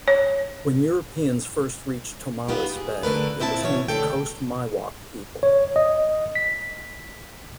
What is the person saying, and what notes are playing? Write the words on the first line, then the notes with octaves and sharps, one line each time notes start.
When Europeans first reached Tomales Bay, it was home to Coast Miwok people.
C#5
B3 D#4 F4 G4
G#4
D3 A3 A#4 B4
A#2 C4 E4 C#5 A5
B2 E3 C#5
D3 A3 C4 A4 G5
C#5
D#5
B6